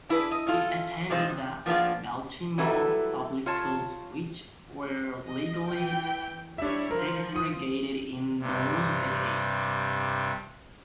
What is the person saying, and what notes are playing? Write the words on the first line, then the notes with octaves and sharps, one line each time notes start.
He attended the Baltimore public schools, which were legally segregated in those decades.
D4 E4 G#4 A#4 B4
D#5
C#4 E4 F4 A4
C3 G3 G#3 D#4 F4 C5
C3
F3 A#3 B3 D4 F4 G#4
F#3 G3 A3 E4 A4 B4
F4 C#5 A5
D#5
E3 G5
G3 D4 E4 C#5 E5
F3 A#4
D#6
G2 C3